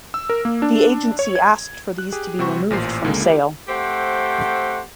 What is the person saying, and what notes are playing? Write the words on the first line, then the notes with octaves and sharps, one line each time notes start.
The Agency asked for these to be removed from sale.
E6
A#4
A#3
D4
C#5
G#6
F#6
G4 G#4
C3 G3 F#4 C5 C#6
A1 A#2 C5 C7
C#2 D3 G#3 A#3
E4 G4
A3 C4 G4 C5 F#5